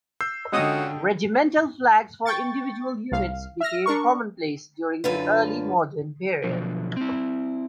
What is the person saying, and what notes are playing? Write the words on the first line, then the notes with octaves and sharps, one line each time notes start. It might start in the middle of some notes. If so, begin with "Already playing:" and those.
Regimental flags for individual units became commonplace during the Early Modern period.
E6 G6 C7
D3 G#3 C#4 F4 F#4 D#5 G5 D#6
G5 C#6 A6
C2 F5
E5 F6 A#6
D4 A#4 C#6
F#2 D3 F4 B4
B2 D3 F3 F#3
C4 E4